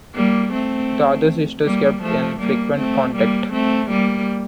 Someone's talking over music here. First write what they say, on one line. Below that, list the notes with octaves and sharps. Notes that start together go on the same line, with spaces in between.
The other sisters kept in frequent contact.
G3 A#3
A3 C4
G3 A#3
F3 A3
G3 A#3
A3 C4
G3 A#3
A3 C4
G3 A#3